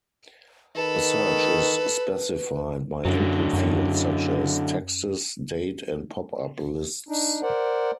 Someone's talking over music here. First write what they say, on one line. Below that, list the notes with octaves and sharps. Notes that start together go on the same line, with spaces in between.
A search is specified by input fields such as: texts, date and popup lists.
D#3 A4 B4 B5
F#2 D3 F#3
F#2
D4 D#4
A#4 C5 D5 F#5